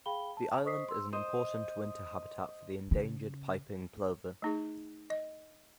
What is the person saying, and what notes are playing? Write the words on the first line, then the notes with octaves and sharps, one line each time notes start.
The island is an important winter habitat for the endangered piping plover.
G#4 F5 G5 B5 G7
A5
C5 D#5 C#6 D#6 B6 C7
C6 E6
C5 D#5
C#3
A3 D#4 G#4
D#5